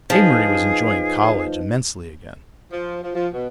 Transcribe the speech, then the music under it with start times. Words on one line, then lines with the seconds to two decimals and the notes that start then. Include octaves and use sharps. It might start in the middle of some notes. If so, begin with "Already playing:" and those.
Amory was enjoying college immensely again.
0.10 F3 D#4 G#4 B4 D#5
2.72 F3
3.03 F3
3.15 F3
3.33 B2